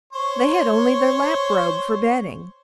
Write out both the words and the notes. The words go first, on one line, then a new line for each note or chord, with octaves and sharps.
They had only their lap-robe for bedding.
C5 C#5